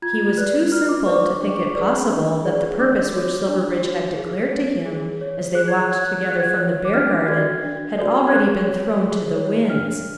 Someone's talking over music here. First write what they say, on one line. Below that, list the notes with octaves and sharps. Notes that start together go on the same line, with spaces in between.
He was too simple to think it possible that the purpose which Silverbridge had declared to him as they walked together from the Beargarden had already been thrown to the winds.
F4 G#6
B4 D5 F#6
F4 F6
D6
B4 D5 C#6
D6
D4 C#6
G#4 B4 D5
D4
G#4 B4 D5
D4 D6
F#4 C#5
D4
F#4 C#5
G#4
C#5
G#4
C#5
G#4 F#6
G#6
F#6
C#5 G#6
F#6
G#6
G#4 F#6
G#6
F#6
C#5
D6
D4 F6
F#4 A4 D5 G#6
D4
F#4 A4 D5
G#6
G#4 F#6
C#5
G#4
C#5
D4 F6